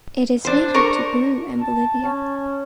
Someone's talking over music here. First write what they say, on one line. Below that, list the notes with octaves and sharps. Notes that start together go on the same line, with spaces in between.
It is native to Peru and Bolivia.
D4 C5
A#4 C#6
A5
C#4